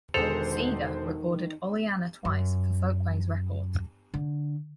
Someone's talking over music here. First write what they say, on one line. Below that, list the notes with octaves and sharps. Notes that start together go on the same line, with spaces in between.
Seeger recorded Oleanna twice for Folkways Records.
E1 D3 D#3 G#4 A4 C5 F7
F#2
D3